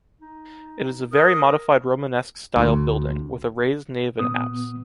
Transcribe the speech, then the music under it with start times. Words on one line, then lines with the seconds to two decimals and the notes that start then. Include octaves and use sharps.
It is a very modified Romanesque-style building, with a raised nave and apse.
0.21 D#4
1.12 A#4 D#6
2.56 D2
4.19 A#2 B3 D#6